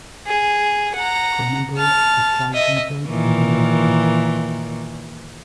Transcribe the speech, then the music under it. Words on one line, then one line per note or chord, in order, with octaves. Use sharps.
Cronenberg describes himself as an atheist.
G#4
F#5 A#5
A5 F6
D#5 E5
A#2 D#3 E3